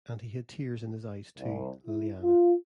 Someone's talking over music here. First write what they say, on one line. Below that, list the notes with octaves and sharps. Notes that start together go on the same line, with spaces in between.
And he had tears in his eyes too, Liliana.
C2
E4
F4